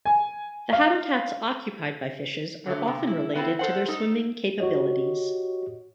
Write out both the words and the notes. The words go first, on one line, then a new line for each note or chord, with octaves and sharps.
The habitats occupied by fishes are often related to their swimming capabilities.
G#5
F5
D3 F#3 A3
C3
E4
B3 C4 E4 B4
A4 C5 F#5
D#4 A4
F#4 G4 C#5 D#5